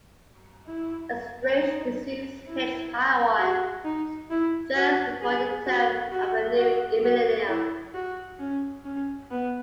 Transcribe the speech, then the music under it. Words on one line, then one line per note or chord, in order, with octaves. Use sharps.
A strange disease hits Taiwan just before the turn of the new millennium.
E4
D#4
E4
F#4
D#4
E4
F#4
G#4
F#4
F#4
F#4
F#4
E4
F#4
C#4
C#4
B3